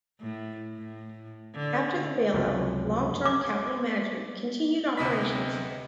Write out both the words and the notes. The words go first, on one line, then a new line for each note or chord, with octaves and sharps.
After the bailout, Long-Term Capital Management continued operations.
A2
A2
D3
C#2 F#2 C3 F3 F#3 A3
D6
D2 C3 B3 D#5 B5 B6